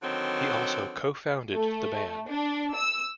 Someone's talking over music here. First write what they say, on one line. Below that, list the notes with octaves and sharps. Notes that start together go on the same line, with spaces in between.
He also co-founded the band.
D3 D#3 F#3 C4
A3
D4
E6